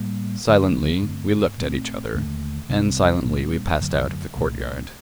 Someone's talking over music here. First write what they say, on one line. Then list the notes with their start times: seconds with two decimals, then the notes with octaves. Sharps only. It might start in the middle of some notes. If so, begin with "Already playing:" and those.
Silently we looked at each other, and silently we passed out of the courtyard.
Already playing: A2 G3 A#3
0.47 D2 D3 F#3 A3
1.02 G2 D3 A3 C4
1.58 A#2 A3 C4
2.13 D#2 D3 A3
2.69 C2 C3 G3 C4
3.25 A#2 G3 A#3 D4
3.80 F#2 D3 F#3 A3
4.36 C2 A#2 A3